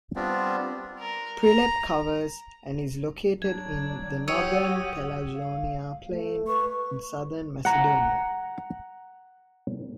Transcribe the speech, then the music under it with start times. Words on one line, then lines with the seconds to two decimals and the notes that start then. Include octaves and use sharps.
Prilep covers and is located in the northern Pelagonia plain, in southern Macedonia.
0.16 G3 B3 C4 D4 F4
0.99 A#4
1.43 A#5
3.42 F#3 D4 G#6
4.28 F#4 G4 C#5 D#6 E6 D#7
5.35 F5
6.08 A3
6.47 B4 C#6
7.65 F#5 A#5